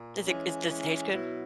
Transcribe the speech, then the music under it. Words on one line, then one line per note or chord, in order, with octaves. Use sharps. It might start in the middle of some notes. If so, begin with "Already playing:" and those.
Is it is does it taste good?
Already playing: A#2
E3 G#3 C#4
E3 G#3 C#4
B2 F#3 B3 E4